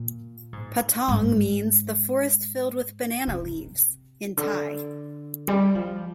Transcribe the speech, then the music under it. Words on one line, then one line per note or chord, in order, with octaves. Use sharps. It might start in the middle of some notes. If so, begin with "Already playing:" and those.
Patong means "the forest filled with banana leaves" in Thai.
Already playing: A#2
G#2
G#2
C3
D3
G3
F3